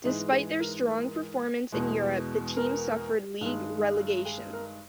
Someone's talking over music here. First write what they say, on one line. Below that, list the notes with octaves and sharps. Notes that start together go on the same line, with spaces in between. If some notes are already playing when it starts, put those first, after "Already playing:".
Despite their strong performance in Europe, the team suffered league relegation.
G#2 E3 G#3 D#4
G#4
A#4
A#4
E2 B2 G#3
A#4
G2 D#3 G#3
G#4
A#4